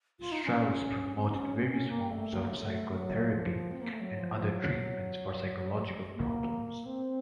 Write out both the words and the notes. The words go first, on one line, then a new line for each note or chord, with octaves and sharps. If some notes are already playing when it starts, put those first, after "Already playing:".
Strauss promoted various forms of psychotherapy and other treatments for psychological problems.
F4
D#4
C#4
C4
D#4
C#4
C#4
A#3
A3
A#3
F#3
A3
F#3
F3
C4
A#3
A3
F#3
F3
F3
F#3
F#3
A#3
C4